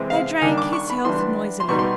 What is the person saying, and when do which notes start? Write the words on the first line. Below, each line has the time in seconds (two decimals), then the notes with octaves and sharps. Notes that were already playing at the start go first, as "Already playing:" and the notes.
They drank his health noisily.
Already playing: C3 E3 G#3 C4
0.10 F5
0.41 D#3 G3 A#3 D4 G#5
0.58 D6
0.73 C#6
0.90 B5
1.05 E3 G3 B3 D4 C6
1.60 C6
1.68 B2 G3 B3 D#4 C#6
1.79 C6